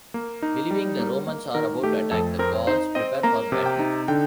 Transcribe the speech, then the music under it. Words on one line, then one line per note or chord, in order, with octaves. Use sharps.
Believing the Romans are about to attack, the Gauls prepare for battle.
A#3
D#4
G3
A#3
A#3
D#3 A#4
A3 G4
F2 A4
C4 A#4
D#4 C5
C4 D#5
A#3 A#5
C3
G5
D#4
D3 G5